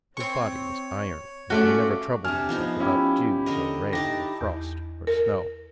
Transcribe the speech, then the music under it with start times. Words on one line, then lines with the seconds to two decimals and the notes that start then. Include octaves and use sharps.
His body was iron; and he never troubled himself about dews or rain or frost or snow.
0.17 C4 C#5 C#6
1.50 A3 C#4 F4 F#4 D5
2.25 C3 D4 G#5 F6
2.49 F3 B3 D#4
2.80 C#4 E4 G4
3.46 D3 A#4 D#5
3.93 D4 D#4 G4 D5 A#6
4.41 E2
5.07 A#4